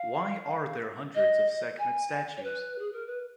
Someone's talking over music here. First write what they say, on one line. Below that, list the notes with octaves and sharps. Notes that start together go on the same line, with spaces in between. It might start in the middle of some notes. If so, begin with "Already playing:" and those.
Why are there hundreds of Sekhmet statues?
Already playing: F5
D#5
G#5
C#5
B4
G#4
A#4
B4